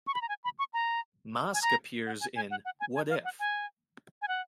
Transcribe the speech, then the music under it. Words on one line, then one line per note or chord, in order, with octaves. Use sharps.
Masque appears in What If?
C#6
B5
A#5
G#5
B5
C#6
A#5
G#5
A#5
F#5
G#5
G#5
F#5
F#5
G#5
G#5
F5
F#5
G#5
G#5
F#5